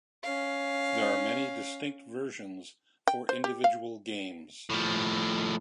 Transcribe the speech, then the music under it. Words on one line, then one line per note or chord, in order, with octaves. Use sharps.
There are many distinct versions for individual games.
C#4 F5
G5
C5
G4
F5
A2 F3